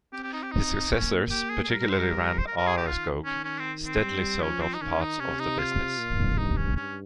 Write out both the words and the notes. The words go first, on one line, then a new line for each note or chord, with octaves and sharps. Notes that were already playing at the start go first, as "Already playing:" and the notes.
His successors, particularly Rand Araskog, steadily sold off parts of the business.
C4 G4
G4
D#4
G4
D#4
A#3 C#4
G4
G#4
G#4
G3 A#4
A#4
C5
A#4
C5
A#4
A#4
G#4
G4
D#3 F4
C#4
C#4
C4
C4
G3
F3 C#4
C4
D#4
D#3 C#4
D#4
C3 C#4
D#4
F4
A#2
G2 D#4
C#4
G2 C#4